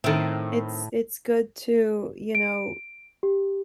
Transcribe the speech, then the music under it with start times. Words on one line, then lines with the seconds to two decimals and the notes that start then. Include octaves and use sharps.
it's it's good to, you know,
0.04 A2 D#3 C4 E4 A4
2.35 D7
3.23 G4